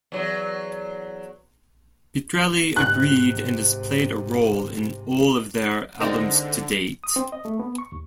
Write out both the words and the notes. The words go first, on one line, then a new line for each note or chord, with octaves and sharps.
Pitrelli agreed and has played a role in all of their albums to date.
E2 F#3
G#2 C3 F#6
D3 G#3 C4 D#4 A#4 D5 D#5
D#6
C4
D#5
A3
B3
C#6
D#2